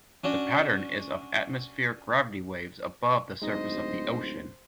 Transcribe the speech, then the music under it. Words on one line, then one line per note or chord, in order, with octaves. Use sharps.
The pattern is of atmospheric gravity waves above the surface of the ocean.
C#4 D4 F#4
D1 G#3 D#4 C5 D#5